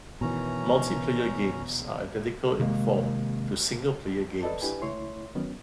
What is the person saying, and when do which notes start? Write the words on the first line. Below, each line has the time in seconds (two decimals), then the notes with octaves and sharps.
Multiplayer games are identical in form to single player games.
0.21 B2 D#3 E3 C#4 A#5
2.60 C3 D#3 G#3 A#3
4.42 A4 B4 D5 D#5 A5
4.62 D4 E4 G4 B4 G#5
4.82 C#2 A3 E4 C#5 C6
5.35 D#3 F#3 B3 C#4